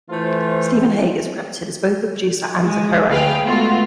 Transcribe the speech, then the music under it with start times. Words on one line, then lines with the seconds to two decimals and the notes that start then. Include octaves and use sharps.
Stephen Hague is credited as both the producer and as a co-writer.
0.10 E3 A3 F4 C5
2.61 G#3
3.09 D2 G#4 B4 F5 G5
3.43 G#3 A3 B3 F4 F#4